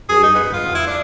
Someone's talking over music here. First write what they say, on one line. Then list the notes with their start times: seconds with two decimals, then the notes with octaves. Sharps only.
They never die.
0.09 G#4
0.24 D#4
0.35 B3
0.53 F4
0.75 E4
0.87 D4